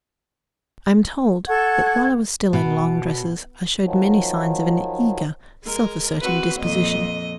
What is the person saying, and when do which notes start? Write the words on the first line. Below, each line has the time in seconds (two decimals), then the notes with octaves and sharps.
I am told that while I was still in long dresses I showed many signs of an eager, self-asserting disposition.
1.48 A4 F#5 C#6 G#6
2.53 B2
3.84 D#3 F3 F#3
5.63 G#3 A#4
6.20 C4 F#4 B4
6.59 F2 A#2 D#5